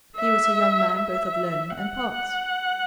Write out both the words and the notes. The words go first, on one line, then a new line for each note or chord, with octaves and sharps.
He was a young man both of learning and parts.
E5
E5
F#5